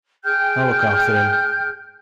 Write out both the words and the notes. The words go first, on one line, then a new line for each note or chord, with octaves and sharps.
I'll look after him.
G#4 G5 F6 G6